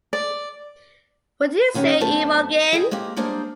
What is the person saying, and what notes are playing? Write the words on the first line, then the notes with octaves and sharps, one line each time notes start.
What do you say, Imogen?
D5
D#2 D#3 C#4 G4 F#5
F#2 A3 B3 C4 A5
E4 G#4 A4 D#5 F#5 G5
G#3 A#3 C4 G4
G3 G#3 A#3 D4 G#4 C5